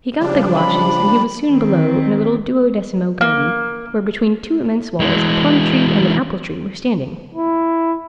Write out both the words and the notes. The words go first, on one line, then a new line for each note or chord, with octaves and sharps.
He got the Galoshes, and he was soon below in a little duodecimo garden, where between two immense walls a plumtree and an apple-tree were standing.
C#3 F3 G3 D4
B5
D#3 C4
A#3
E3 G#3
E4